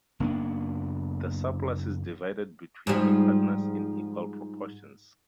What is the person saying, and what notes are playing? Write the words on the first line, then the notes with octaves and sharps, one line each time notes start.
The surplus is divided between the partners in "equal proportions".
F#1 A#3 B3 D4
G#2 F3 G3